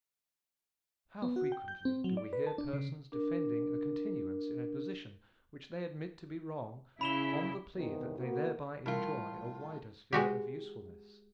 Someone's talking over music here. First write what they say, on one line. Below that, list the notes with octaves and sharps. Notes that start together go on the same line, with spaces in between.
How frequently do we hear persons defending a continuance in a position which they admit to be wrong, on the plea that they thereby enjoy a wider sphere of usefulness.
B3
F#4
G5
G6
C4
F#3
D5
B4
A5
D4
C#3
D4 A#4
C#3 E4 B5 E7 G7
E2 G#2 C3 D#3 B3
A#3 B3 F#4
A2 E3 G3 F4 A#4
G#3 F#4 G4